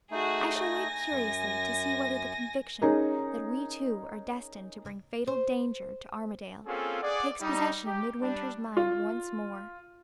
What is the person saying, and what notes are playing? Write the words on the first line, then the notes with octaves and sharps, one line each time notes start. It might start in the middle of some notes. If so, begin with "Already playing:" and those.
I shall wait curiously to see whether the conviction that we two are destined to bring fatal danger to Armadale takes possession of Midwinter's mind once more.
A3 D#4 F#4 G#4
G#5 A#6
F#2
C#4 D#4 G#4 A#4
C5
A#3 C4 C#4 F4 G#4 A4
G#4 D5 F#5
G3 D#4
G4
G3 D4
F4